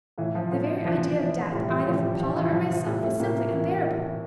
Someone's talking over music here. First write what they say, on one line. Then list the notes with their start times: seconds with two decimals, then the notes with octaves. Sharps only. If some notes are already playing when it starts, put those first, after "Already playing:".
The very idea of death either for Paula or myself was simply unbearable.
0.18 A2 E3
0.35 F3
0.51 A2 F3
0.85 E3 F3
1.19 E3
1.52 A2 G3
1.69 E3
1.86 A2 F3
2.03 G3
2.19 E3 F3
2.36 E3
2.53 E3 F3
2.70 F3
2.86 A2 G3
3.03 A3
3.20 A2 A#3
3.37 A#3
3.53 E3
3.87 E3